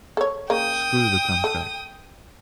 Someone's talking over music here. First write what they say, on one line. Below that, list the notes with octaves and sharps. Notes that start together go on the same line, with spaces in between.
Screw the contract!
A4 C#5
C#3 A#3 G5 D#6
A4